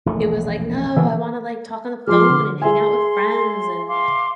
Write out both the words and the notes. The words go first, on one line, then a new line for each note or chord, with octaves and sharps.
it was like, "No, I wanna like talk on the phone and hang out with friends," and,
E1 A#1 A3
B2 D3 E3 A#3
F3 G#3 C6 D6 F6
D3
G#4 E5 G#5 C6
F5 C6 D6